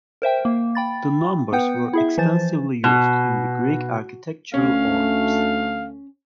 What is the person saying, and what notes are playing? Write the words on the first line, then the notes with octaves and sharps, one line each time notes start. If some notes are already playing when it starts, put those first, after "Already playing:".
The numbers were extensively used in the Greek architectural orders.
A#4 C5 E5 G5
A#3
G5 B5 A6
B3 B4 F#5 G5 G6 C#7
E4 G#4 E5
E3 F3 C5 A6
B2
D2 A3 C#4 F5